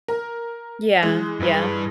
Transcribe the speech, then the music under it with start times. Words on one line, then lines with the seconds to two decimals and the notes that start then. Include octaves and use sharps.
Yeah, yeah.
0.08 A#4
1.03 E3 G#3
1.40 G2 B4